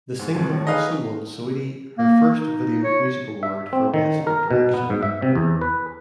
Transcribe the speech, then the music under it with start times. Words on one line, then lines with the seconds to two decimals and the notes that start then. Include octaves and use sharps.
The single also won Saweetie her first Video Music Award for Best Art Direction.
0.19 G#2
0.36 C2 D#3
0.51 A2
0.67 D#4 G#4 B4 D#5 F5
1.98 A#3
2.33 D#4
2.84 C#5
3.43 E5
3.73 C4
3.94 D#3
4.27 A#4
4.51 B2
4.74 B3
4.90 G#2
5.03 E5
5.22 C3
5.35 E2
5.61 B4